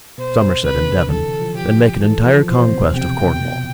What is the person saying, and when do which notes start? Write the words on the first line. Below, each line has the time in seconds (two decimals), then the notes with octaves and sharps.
Somerset, and Devon, and make an entire conquest of Cornwall.
0.18 B2 C5
0.41 B2
0.64 C3 B4
0.81 C3
0.87 D3
1.11 E3 A4
1.41 F3
1.55 F3 G4
1.72 F3
2.03 E3 A4
2.26 F3
2.49 E3 C5
2.67 B2
2.73 C3
2.95 C3 G5
3.19 B2
3.42 B2